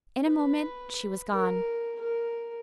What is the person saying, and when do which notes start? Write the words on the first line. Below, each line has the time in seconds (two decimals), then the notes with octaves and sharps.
In a moment she was gone.
0.25 B4
1.31 A#4
2.01 A#4